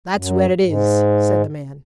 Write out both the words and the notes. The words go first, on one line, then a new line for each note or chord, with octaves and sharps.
"That's where it is," said the man.
F#2
G#2